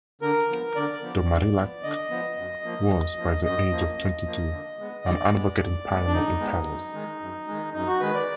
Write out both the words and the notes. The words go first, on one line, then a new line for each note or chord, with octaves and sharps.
De Marillac was, by the age of twenty-two, an advocate in parliament in Paris.
D3 A#4
F3 B3
D3 D5
F3 B3
D3
F3 B3
D3 D#5
F3 B3
F#2
F3 A#3
F#2
F3 A#3
F#2 D#5
F3 A#3
F#2
F3 A#3
D3
G#3 B3
D3 D5
G#3 B3
D3
G#3 B3
D4
D3 D#4
G#3 B3
F#2
D#3 G#3
F#2
D#3 G#3
F#2 D#4
F#4
D#3 G#3 B4
D5